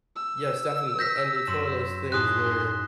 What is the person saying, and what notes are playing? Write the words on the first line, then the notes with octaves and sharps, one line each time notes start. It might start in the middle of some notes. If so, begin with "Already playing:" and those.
Yes, definitely, and it's one of those things where,
E6
G6 A#6 B6
F#2 C6 E7
A2 D#4 G#4 C6 D#6 F#6 B6